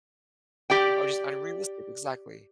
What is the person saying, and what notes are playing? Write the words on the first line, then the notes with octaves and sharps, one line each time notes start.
Oh, just unrealistic exactly.
G4 D5 G5